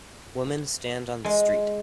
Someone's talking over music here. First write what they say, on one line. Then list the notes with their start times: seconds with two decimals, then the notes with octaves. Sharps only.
Women stand on the street.
1.25 G#3